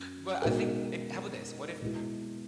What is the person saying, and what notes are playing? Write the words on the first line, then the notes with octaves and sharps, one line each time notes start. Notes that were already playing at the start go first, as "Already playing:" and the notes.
But I think and how about this? What if
Already playing: F#2
B2 G#3 D#4 F#4 A#4
B2 G#3 B3 E4